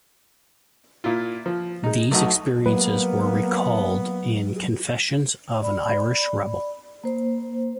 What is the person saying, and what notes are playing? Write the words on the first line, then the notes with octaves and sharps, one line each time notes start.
These experiences were recalled in Confessions of an Irish Rebel.
A#2 E4 F4
F3
G#3 D#4
B1 A3 D#4 F#4 D#6
F#3 G#3 A#3 B3 B4
D5 B5
A#3 C5